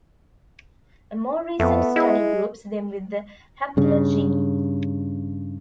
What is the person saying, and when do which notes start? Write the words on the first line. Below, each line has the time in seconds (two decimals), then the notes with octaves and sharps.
A more recent study groups them with the Haplogynae.
1.60 F2 A3 B3
1.96 G#3 E4
3.77 G2 C#3